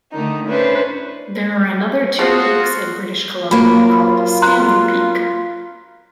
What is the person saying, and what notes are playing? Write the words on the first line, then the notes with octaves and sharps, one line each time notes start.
There are another two peaks in British Columbia called Stanley Peak.
D3 D#3 A3 D4 D#4
C#4 D4 E4 B4 C5
F3 F4 F#4 G#4
F#3 A#3 F4 B5
A#5 C6 F#6